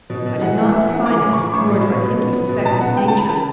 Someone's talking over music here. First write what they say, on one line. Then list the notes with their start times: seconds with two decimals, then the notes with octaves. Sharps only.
I did not define it, nor do I think you suspect its nature.
0.10 B2
0.26 B2
0.41 E3 F#5
0.57 E3 F#5
0.73 A3 E5
0.89 E3 F#5
1.05 E3 D6
1.21 A2
1.33 C#6
1.37 E3 D6
1.48 B5
1.53 A2 C#6
1.69 B2 B5
1.85 B3
2.01 B2
2.18 B3
2.33 B3
2.49 B2
2.65 B2 A5
2.81 B3 F#5
2.96 C#3 G5
3.08 A5
3.13 C#3
3.18 B5
3.29 C#3 A5